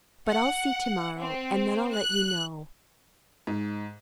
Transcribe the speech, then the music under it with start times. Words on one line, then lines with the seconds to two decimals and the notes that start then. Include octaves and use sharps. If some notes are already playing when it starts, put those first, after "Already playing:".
But I'll see to-morrow, and then I'll let you know.
0.28 F#5
1.20 C4
1.94 F#6
3.47 G#2